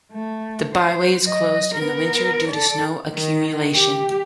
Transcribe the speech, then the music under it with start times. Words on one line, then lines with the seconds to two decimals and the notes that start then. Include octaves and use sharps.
The byway is closed in the winter due to snow accumulation.
0.12 A3
0.74 C5
1.25 F#3 D#5
1.74 B3 A#4
2.48 A4 D5
3.13 D#3
3.73 G4